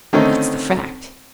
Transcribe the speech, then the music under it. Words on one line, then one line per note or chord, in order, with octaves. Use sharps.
That's the fact.
D3 D#3 A3 C4 C#4 D#4